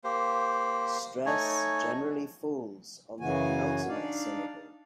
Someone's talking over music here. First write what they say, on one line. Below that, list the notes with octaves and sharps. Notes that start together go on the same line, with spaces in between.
Stress generally falls on the penultimate syllable.
A#3 G4 C5
A3 D#4 C#5 G#5
F#2 C#3 E3 F#4 G#5
D4 D#4 D5 F5